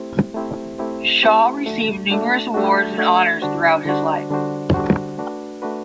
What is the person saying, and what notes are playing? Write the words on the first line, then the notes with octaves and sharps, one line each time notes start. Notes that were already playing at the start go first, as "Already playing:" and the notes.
Shaw received numerous awards and honors throughout his life.
Already playing: A3 C4 E4 G4 C5
A3 C4 E4 G4 C5
A3 C4 E4 G4 C5
A3 C4 E4 G4 C5
A3 D4 F#4
A3 D4 F#4
A3 D4 F#4
A3 D4 F#4
D3 G3 D4 F#4 C5
D3 G3 D4 F#4 C5
D3 G3 D4 F#4 C5
D3 G3 D4 F#4 C5
A3 D4 F#4 B4
A3 D4 F#4 B4